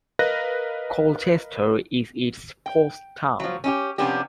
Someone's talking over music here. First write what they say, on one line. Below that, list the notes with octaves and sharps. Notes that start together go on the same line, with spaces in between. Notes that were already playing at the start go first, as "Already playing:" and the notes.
Colchester is its post town.
A#4 B4 D#5 F5 F#6 A#6
G5
F3 F#3
C#4 D#4 G4
C3 F3 B3 C#4 D4 G4